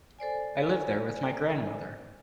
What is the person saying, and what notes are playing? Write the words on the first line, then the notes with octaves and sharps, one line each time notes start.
I live there with my grandmother.
A4 C5 D5 G#5